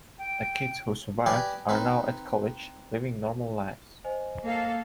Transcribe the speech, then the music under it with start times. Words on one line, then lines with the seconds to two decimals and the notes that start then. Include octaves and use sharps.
The kids who survived are now at college living normal lives.
0.18 G5
1.26 G4 B4 D5 D#5 G5 G#5
1.69 C4 D#4 B4
4.04 C5 D#5 G#5
4.45 A#3 A4 F5